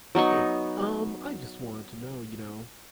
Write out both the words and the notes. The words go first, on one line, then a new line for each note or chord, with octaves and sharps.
Hey, um, I just wanted to know you know,
F#3 B3 D#4 C#6